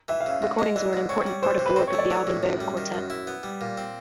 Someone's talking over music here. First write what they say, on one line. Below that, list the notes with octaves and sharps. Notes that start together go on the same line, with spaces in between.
Recordings were an important part of the work of the Alban Berg Quartet.
E3 E5
F5
C#3
E5
G#2 E5
G#3 D#5
E3 D5
G#2
C4 C#5
G3
E3 C5
C3
B4
C4 C5
C#5
A3
D5
E3
A2
F#2 E5
G3
D#3
F#2
E4
B3
G3
A#2
C4